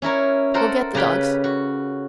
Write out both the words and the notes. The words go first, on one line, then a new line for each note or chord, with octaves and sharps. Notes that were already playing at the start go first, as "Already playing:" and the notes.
We'll get the dogs.
C#4 E4 A#4 C#5
A4 A#4 C5 F#5 A#5
C#3 G4 B4 F5 G5 B5
F#4